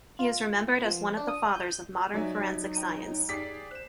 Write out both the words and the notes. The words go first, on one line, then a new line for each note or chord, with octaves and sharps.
He is remembered as one of the fathers of modern forensic science.
F4
B3
F3
D4
D#6
G6
F#3 D#4 D5 E5 G#5
G5 A#5 D#7
G4 G#4 D5 B6 C7
C5 F#6 E7